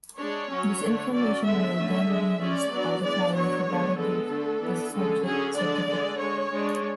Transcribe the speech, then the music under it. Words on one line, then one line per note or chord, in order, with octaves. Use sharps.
This information may then be used by the client to validate the subject certificate.
G#3 D4 C#5
F#3 C#4
D3 A3 D4
F#3 C#4 D5
D3 G#3 B3 D4 E5
D3 A3 C#4
G#3 D4
G#3 C#4 D5
F#3 B3 D4
E3 G#3 B3 D4 D5
F#3 B3 D4 C#5
D3 G#3 B3 D4
G#3 B3 D4 A4
D3 A3 D4
E3 B3 D4
D3 G#3 C#4 A4
D3 F#3 C#4 G#4
D3 G#3 D4 D5
D3 G#3 D4
G#3 D4 C#5
G#3 D4